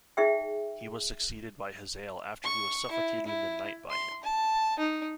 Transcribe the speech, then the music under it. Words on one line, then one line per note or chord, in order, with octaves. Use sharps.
He was succeeded by Hazael after he was suffocated in the night by him.
D#4 G#4 E5 G5
C#6
E4
E4
C6
A5
D#4